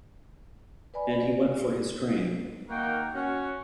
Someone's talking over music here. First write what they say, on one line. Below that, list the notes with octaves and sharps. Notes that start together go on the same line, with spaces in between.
And he went for his train.
B4 D5 G#5 B5
D#3 A#3 F#4 A#4 G5
C#4 F#4